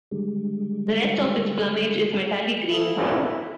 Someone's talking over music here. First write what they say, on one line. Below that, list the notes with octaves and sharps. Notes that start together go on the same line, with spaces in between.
The rest of its plumage is metallic green.
D3 G3 G#3
E4 A4 F5 D#6